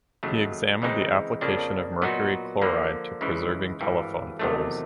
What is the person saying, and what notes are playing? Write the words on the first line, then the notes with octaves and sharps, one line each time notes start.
He examined the application of mercury chloride to preserving telephone poles.
D#2 C#3 F#3 A3
C#3 E3 G#3 C4 D#4
F2 C#3 F3 A#3 D4
A#2 F#3 B3 D#4 F#4
D3 F3 A#3
C#2 C#3 E3
G#1 G2 E3
E2 C3 D#3 F#3 A3